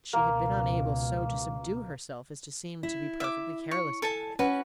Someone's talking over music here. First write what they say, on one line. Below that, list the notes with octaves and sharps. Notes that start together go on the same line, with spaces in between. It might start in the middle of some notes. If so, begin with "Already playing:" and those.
She had been unable so to subdue herself as to seem to be perfectly careless about it.
C#2 B2 A#3
E4
E5 D6
C#5
A4 G#5 A5
C#4 F#4 B4